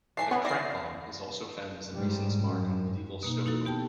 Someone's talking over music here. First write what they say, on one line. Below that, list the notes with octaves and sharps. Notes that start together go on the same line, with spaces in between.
The "crampon" is also found as a mason's mark in medieval stonework.
E3 G#3 A4 C7
B3 C#5
E4 D5 A#6 C7
G#2 G3
F#2
B2 A#3 D#4
A#3 D#4 E4 F#4 A4
B3 G4 G5 A5